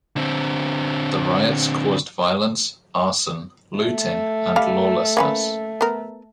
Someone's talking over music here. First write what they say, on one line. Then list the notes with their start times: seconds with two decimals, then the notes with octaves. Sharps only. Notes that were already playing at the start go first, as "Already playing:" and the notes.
The riots caused violence, arson, looting and lawlessness.
0.16 D3 C4
3.79 A3
4.56 G3 F5
5.17 A#3 C#4 B4
5.81 B3 A#4